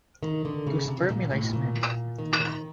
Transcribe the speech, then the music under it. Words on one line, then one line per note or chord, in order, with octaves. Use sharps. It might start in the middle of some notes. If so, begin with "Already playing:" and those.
To 'spermulise' men.
D#3
D3
C#3
C3
A#2
A2
B2
A#2
D#3
D#3